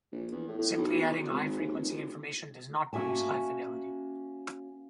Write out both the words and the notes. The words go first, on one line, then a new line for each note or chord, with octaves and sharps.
Simply adding high frequency information does not produce high fidelity.
A#1
E2
A2
A2
B1
E2
E1
G#1
D#2
F1
E1
A#3 C#4 F#4 E5 G#5 A5